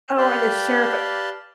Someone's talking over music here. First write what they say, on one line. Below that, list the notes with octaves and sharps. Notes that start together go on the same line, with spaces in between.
Oh, and the Sheriff
G4 B4 D5 F5 G5 A5